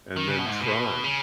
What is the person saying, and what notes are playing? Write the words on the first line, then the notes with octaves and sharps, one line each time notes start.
and then Tron,
D#3
C#3
B2
A2
G#2
B2
C#3